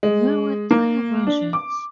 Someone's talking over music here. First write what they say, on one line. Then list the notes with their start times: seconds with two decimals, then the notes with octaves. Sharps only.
There were three versions.
0.03 G#3
0.71 A#3
1.27 D4
1.53 D6